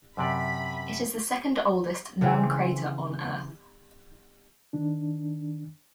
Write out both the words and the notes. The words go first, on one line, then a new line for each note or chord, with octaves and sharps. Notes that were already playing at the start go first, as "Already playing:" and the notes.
It is the second-oldest known crater on Earth.
F#2 C3 D5 B5
C#3 E3 C4
D#3 D4